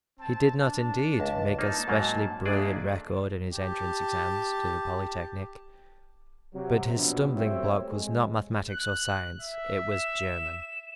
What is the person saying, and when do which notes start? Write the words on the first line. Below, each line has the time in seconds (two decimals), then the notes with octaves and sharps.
He did not, indeed, make a specially brilliant record in his entrance examinations to the Polytechnique; but his stumbling block was not mathematics or science, it was--German!
0.19 C4 A5
0.61 D4 A5
1.20 C#2
1.59 A#3 D#4 A5
1.88 G#2 F#3 A#3
2.46 A3 A#3 D4 G#4 D5 D#5
3.57 G4 A5
6.54 C3 F#3
6.95 A#1 B2
7.36 G3 A3 C4 C#5 E5
7.87 G#3
8.70 F#6
9.41 E5
9.92 E7